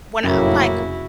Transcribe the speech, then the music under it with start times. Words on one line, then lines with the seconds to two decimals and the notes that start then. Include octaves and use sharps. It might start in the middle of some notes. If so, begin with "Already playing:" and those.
when I'm like,
0.24 F1 F#2 A2 C#3 A#3 E4 F#4